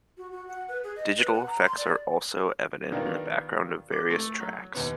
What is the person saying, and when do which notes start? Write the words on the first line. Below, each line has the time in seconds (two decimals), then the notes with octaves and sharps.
Digital effects are also evident in the background of various tracks.
0.18 F#4
0.32 F#4
0.48 F#5
0.68 B4
0.84 G#4
0.96 D#5
1.18 B4
1.34 F#5
1.47 A#5
1.65 C6
1.78 D5
2.92 D#3 G3 B3 D4 F4 A#4
3.92 D6
4.10 A3
4.40 F#3
4.75 D#2 B3